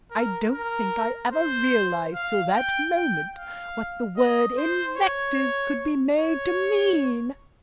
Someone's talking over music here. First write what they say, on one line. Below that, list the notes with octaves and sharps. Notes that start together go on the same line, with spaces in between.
I don't think I ever realised till that moment what the word 'invective' could be made to mean.
A#4
A#4
C5
F5
G5
G5
F5
D#5
C5
C#5
C#5